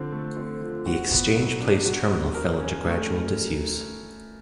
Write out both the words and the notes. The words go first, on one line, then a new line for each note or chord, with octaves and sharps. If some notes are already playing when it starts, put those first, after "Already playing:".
The Exchange Place terminal fell into gradual disuse.
Already playing: D3 F3 C4
A3
C4
F3
F#4
B3
F#3
D4
F#4
B3
A#4
C#4
A3